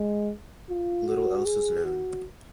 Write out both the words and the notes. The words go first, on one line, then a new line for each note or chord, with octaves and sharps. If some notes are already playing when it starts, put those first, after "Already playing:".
Little else is known.
Already playing: G#3
F4
F#4
G#4
F#4